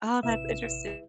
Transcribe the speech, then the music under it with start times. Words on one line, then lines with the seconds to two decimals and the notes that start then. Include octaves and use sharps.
Oh, that's interesting.
0.23 A1 C3 E4 B4 E5 E7